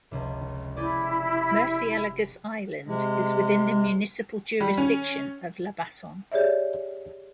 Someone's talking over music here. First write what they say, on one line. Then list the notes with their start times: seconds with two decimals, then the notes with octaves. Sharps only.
Murcielagos Island is within the municipal jurisdiction of Labason.
0.11 F1 C#2
0.77 E4 G4 G#4 D5
2.87 C3 G#3
4.60 G3
4.78 C#4
6.32 G4 G#4 C#5 D5 E5